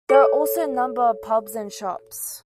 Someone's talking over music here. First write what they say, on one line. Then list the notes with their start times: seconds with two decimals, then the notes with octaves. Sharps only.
There are also a number of pubs and shops.
0.10 A4 C#5